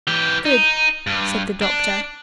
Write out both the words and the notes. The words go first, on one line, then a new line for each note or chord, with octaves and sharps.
"Good," said the doctor.
E3 G4
D#4
G2
D4